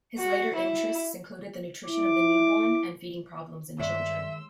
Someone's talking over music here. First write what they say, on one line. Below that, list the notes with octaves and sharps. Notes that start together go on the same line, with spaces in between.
His later interests included the nutrition of the newborn and feeding problems in children.
F#4
E4
E4 D6
G2 D#3 G#3 C#5 D5 E5 C6 E6